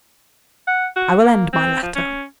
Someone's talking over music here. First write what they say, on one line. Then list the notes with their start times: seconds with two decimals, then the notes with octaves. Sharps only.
I will end my letter.
0.68 F#5
0.96 F#4
1.23 A#3
1.53 C4
1.83 F3
1.96 C#4